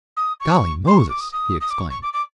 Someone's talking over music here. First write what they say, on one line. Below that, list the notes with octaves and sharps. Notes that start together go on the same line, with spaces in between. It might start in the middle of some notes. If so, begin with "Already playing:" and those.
"Golly Moses!" he exclaimed.
D#6
C#6
C6
C#6
D6
D#6
D#6
D#6
D6
C#6
C#6
D6
D6